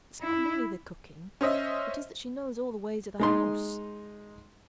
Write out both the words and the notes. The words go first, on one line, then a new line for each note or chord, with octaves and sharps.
It's not merely the cooking, it is that she knows all the ways of the house.
E4
C#4 C5 D#5 E5
G#3 D#4 C6